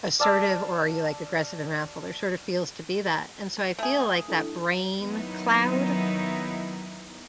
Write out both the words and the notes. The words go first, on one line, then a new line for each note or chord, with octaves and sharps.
assertive or are you, like, aggressive and wrathful? There sort of feels to be that. And so I feel like that brain cloud,
D5 F5 A5 E6
A3 G#4
D4 E4 A4
D#3 F#3 B3 D#4 E4